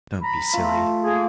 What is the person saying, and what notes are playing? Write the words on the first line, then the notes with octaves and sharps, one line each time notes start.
Don't be silly.
A#5 B5
A3 F4
A#3 G#4